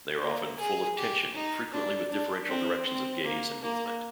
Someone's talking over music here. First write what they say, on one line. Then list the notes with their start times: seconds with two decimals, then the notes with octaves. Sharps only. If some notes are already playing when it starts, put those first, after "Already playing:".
They are often full of tension, frequently with differential directions of gaze and movement.
0.21 A#3
0.58 G#4
0.97 G4
1.34 D#4
1.72 D4
2.10 D4
2.48 C4
2.86 C4
3.24 A#3
3.61 A#3